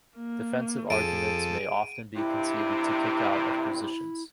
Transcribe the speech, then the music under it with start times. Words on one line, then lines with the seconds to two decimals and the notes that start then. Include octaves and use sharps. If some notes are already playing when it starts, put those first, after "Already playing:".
Defensive arguments may often be conceded to "kick out" of positions.
0.15 A#3
0.90 F2 G#4 A4 D7 D#7
2.16 G2 C3 E4